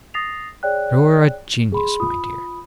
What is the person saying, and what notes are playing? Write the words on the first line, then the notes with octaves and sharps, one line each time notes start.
'You're a genius, my dear.'
D#6 A6 A#6 C7 F7
G#4 C#5 D5 G5 F#6
G#4 B5 C6
F4 B5 D#6